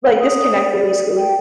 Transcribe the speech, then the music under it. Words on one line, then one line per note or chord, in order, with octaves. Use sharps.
like, disconnected, basically.
D#6
D5
G5